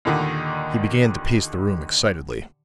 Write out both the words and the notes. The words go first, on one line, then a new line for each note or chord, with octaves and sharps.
He began to pace the room excitedly.
D#2 A#2 D3 D#3